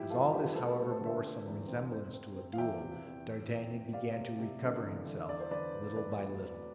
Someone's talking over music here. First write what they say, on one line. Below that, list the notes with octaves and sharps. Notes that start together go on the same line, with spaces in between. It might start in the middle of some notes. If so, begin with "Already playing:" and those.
As all this, however, bore some resemblance to a duel, d'Artagnan began to recover himself little by little.
Already playing: E2 F3 E4 G4
G2 F4 A4
C4 G4 B4
A3 A4 C5
G4 B4
A3
A4 C5
D3
C5 E5
C4
E2
C4
C4
C4
C4
F5
E2 E5 G5
C3
E2
A2
C4
C4
C3 D5 F5
C3
C3
D3
E2
D3
E2 D5
C5
D3 B4 D5
E2
A3 B4 D5
B2
C4